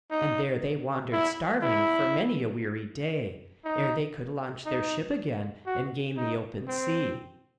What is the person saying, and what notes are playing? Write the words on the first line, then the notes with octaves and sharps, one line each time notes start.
And there they wandered starving for many a weary day, ere they could launch their ship again, and gain the open sea.
D#4
E4
E4
D#4
D#4
F#4
D#4
C4